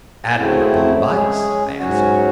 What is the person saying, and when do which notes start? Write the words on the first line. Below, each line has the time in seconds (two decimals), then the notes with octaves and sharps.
"Admirable advice," I answered.
0.37 C#3 F#3 A3 C4 E4
1.07 G#3 C#4 G#4
1.77 G#2 F#3 C#4 F#4